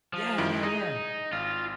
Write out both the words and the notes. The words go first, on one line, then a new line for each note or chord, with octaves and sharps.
Yeah, yeah, yeah.
F3
F#2 D#3 E4
D#4 G#4
G#1 F4